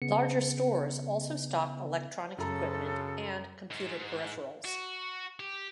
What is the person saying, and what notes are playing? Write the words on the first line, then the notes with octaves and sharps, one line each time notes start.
Larger stores also stock electronic equipment and computer peripherals.
C#3 B3 C#7
F#2 C#3 A4 A#5
G#2
F#4
G4